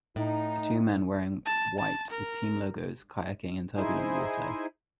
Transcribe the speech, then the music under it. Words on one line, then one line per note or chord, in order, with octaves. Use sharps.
Two men wearing white with team logos, kayaking in turbulent water.
A2 D#4
A5
A5
A#4
D#4 E4 G#4 C5 G#5